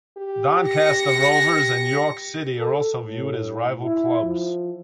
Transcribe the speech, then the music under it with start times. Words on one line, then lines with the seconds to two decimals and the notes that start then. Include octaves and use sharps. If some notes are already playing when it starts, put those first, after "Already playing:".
Doncaster Rovers and York City are also viewed as rival clubs.
0.18 G4
0.68 A#6 C#7
2.59 A4
3.02 A2
3.85 E4
4.23 F3